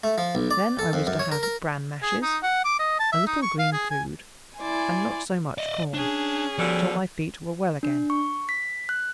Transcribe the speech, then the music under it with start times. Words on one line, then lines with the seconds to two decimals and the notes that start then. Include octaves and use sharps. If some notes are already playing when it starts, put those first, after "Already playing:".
Then I was to have bran mashes, a little green food, and not so much corn, till my feet were well again.
0.04 A3
0.18 F3
0.35 B1
0.51 D5
0.79 A4
0.93 F2
1.07 F#2
1.19 C#5
1.32 A#4
1.43 A#4
2.02 G#4
2.22 D#4
2.43 F#5
2.64 D6
2.79 D#5
2.99 A5
3.12 E5
3.27 D#4
3.42 C#6
3.59 F5
3.73 G#4
3.90 G#5
4.59 E4 D5 G#5 C6
5.58 D5 D#5
5.94 C#4 D4 G#4
6.58 B2 D3 F3 G3
7.83 D4
8.10 C#6
8.49 B6
8.89 F#6